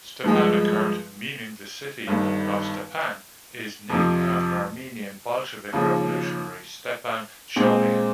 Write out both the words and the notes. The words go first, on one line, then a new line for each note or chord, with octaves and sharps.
"Stepanakert" meaning the "city of Stepan" is named after Armenian Bolshevik revolutionary Stepan Shaumian.
G2 F3 G#3
G1 G2 D#3
F2 C3 F3
D#2 C#3 F3
A#2 G#3 C4